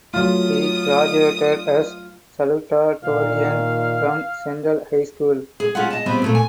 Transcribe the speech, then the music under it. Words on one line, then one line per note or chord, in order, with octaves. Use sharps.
He graduated as salutatorian from Central High School.
F#3 A3 F4 D#6
A#2 D#3 F5
G#4
G3 C#4 F4 F#4 F5 F#5
D#5 A5
G3 B3 C4 F4 B4 C5
A#2 A3 A#3
G#5